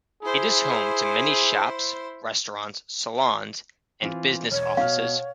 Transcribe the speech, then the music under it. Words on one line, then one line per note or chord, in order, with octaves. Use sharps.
It is home to many shops, restaurants, salons and business offices.
E4 G#4 C5
E3 C4 F4
E1 C#5
B2 F5 F6